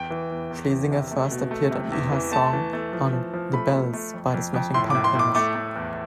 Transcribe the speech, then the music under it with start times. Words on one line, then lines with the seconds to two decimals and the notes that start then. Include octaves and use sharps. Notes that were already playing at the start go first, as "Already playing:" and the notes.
Schlesinger first appeared on Iha's song on "The Bells" by The Smashing Pumpkins.
Already playing: E2 G5
0.10 E3
0.31 E2
0.51 E2
0.70 E2
0.91 C3
1.11 A3
1.31 B2
1.51 A3
1.71 C3
1.92 E2
2.12 E3
2.32 A3 A5
2.53 E3
2.73 A3
2.93 F3
3.13 F3
3.34 F3
3.53 A3 B5
3.73 A3
3.93 A3
4.14 F2
4.34 F2
4.54 F2
4.74 A2 C6
4.90 D6
4.95 A2
5.04 C6
5.15 A2 D6
5.35 A3 D6
5.55 A3
5.76 E2